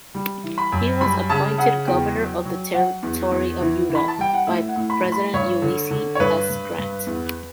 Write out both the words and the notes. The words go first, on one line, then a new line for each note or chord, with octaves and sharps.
He was appointed governor of the territory of Utah by President Ulysses S. Grant.
G3
E3
B5
F#2
G3 B5
C#3 A5
C#3 F#5
E2 G5
F#3
F#3
F#3 F#5
E2
E2
E3
E3
B5
A5
G3 G5
F#5
A2 E5
F#5
A2
B5
A2
B5
G2 C#5
D3
D3
C#5
G2 B4
G2
G2
E2